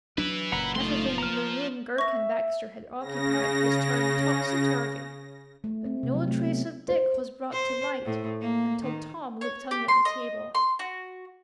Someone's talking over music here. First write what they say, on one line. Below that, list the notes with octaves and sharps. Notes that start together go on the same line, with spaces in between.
Everything in the room Girk and Baxter had occupied was turned topsy-turvy, but no trace of Dick was brought to light until Tom looked under the table.
F#3 D4 E4 B4
F#1 A#2 F#5 A#5 B5
F3 A3 D#4 C6
A#5 F6
E5 C#6 A#6
C#3 A#6
A3
C4
C3
F#3
A3
B3
C5
C5
A2
A#3
D#3
C#5
G4
C6
D#5
C6
F#4